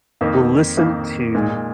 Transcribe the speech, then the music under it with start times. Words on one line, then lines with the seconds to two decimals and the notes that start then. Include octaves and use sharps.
will listen to
0.21 F2 D#3 A#3 D#4
0.77 F2 D#3 A#3 D#4
1.35 A#2 G#3 D#4